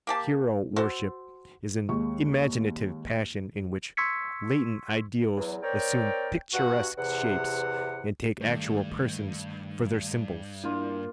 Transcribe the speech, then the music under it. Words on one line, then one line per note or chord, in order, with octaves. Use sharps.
Hero-worship is an imaginative passion in which latent ideals assume picturesque shapes and take actual persons for their symbols.
A#3 G4 A5
F#4 A4 C5
D#2 G#3 C#6
C6 C#6 E6 G#6 B6 C#7
E2 F#3
C4 A#4 C#5 D5 G5
G2 F#4 F#5
E2 C3 F#5
G2 D#3 A3
A#3 D4 E4 F4